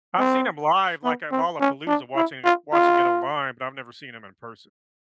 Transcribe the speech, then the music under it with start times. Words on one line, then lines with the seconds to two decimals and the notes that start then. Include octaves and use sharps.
I've seen 'em live, like, at Lollapalooza, watching it watching it online, but I've never seen 'em in person.
0.19 C4
1.04 B3
1.32 C4
1.60 C#4
1.87 D4
2.16 E4
2.45 F4
2.73 F4